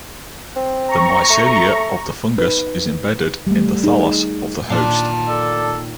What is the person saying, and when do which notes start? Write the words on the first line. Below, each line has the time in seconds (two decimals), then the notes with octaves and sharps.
The mycelia of the fungus is embedded in the thallus of the host.
0.56 C4
0.88 A#5 C#6
1.30 A3
2.38 D#4 B4
3.47 G3 A3
3.84 D#4 G#4
4.70 A#2 D#3 D4 F5 A5
5.28 A4 D5